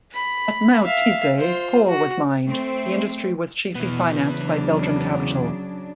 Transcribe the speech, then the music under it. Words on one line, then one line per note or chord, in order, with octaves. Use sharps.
At Maotize coal was mined; the industry was chiefly financed by Belgian capital.
B5
E5 F5
F4 C5
F#4
A3 C4
B2 E3 B3
C#3 F#3 D4